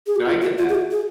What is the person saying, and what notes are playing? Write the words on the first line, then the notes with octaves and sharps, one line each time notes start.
No I get that.
G#4
F#4
F4
F#4
F4
G#4
F#4
G#4